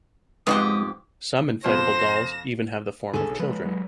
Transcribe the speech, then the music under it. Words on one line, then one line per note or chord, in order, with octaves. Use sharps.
Some inflatable dolls even have the form of children.
F2 G#2 G#3 B3 F#4 G4 D#6
F2 B2 C5 A#6 E7
D#2 G#2 D3 G#4 A4
B1
F3 G#3 B4
F#3 G#3